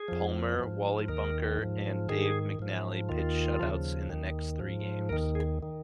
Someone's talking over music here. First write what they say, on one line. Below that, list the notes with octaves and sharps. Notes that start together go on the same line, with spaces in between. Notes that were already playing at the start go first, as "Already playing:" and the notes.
Palmer, Wally Bunker and Dave McNally pitched shutouts in the next three games.
Already playing: G#4
F2 F3
G#2 F3
D#2 D#3 A#4
G#2 F3
G#2 D#3 G#4
G#2 F3
D#2 D#3 F4
D#2 C#3 F3
D#2 D#3
G#2 F3
D#2 D#3 A#4
G#4
D#3